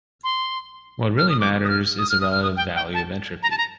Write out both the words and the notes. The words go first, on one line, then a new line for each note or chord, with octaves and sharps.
What really matters is the relative value of entropy.
C6
F6
D#6
D6
D#6
F6
D#6
F6
D#6
F6
D#6
G5
G5
A5
A#5
A5
A#5